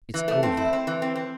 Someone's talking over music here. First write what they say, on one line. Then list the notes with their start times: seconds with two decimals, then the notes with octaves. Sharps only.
It's over....
0.14 E3
0.28 A3
0.43 C4
0.57 E4
0.73 C4
0.87 E3
1.02 C4
1.15 C4